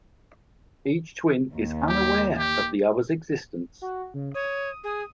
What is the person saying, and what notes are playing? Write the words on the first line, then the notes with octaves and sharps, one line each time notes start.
Each twin is unaware of the other's existence.
D#2
G4
G4
F#4
C#3
C#5 D#6
G#4 D#6